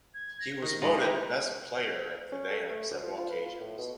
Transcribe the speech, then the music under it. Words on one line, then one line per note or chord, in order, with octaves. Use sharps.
He was voted best player of the day on several occasions.
G#6
A#6
D#3
D#3 E3 G#3 F4 G4 A#6
D#4 E4 G4 G5
C#4
A4
A3
D2
F3
F4
B4
F4
A2
B2